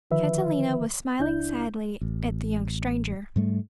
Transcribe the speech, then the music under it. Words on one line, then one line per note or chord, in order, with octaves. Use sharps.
Catalina was smiling sadly at the young stranger.
D3 D#3 F3 B4 E5
C#2 D4 E4 G6
A1
G#2 G3 A3